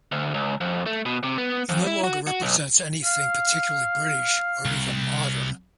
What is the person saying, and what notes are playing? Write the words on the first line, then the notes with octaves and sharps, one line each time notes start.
He no longer represents anything particularly British, or even modern.
D2
C#2
F2
A3
B2
C3
B3
F2
E4
F#4
F#4
B1
F5
C2